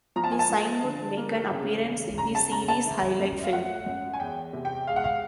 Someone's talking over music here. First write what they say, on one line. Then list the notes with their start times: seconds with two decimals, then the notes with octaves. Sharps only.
The sign would make an appearance in the Series highlight film.
0.16 F3 A#5
0.24 A5
0.32 G#5
0.39 A5
0.50 F3
0.83 D3
1.17 A#3
1.51 C#3
1.84 E2
2.18 C#3 A#5
2.35 A5
2.51 C#3 A#5
2.68 A5
2.86 E3
3.19 F#2
3.44 F5
3.53 A3 F#5
3.86 F#2
4.13 G#5
4.20 E2 G5
4.53 C3
4.65 G5
4.87 G#3 F5
4.96 F#5
5.04 F5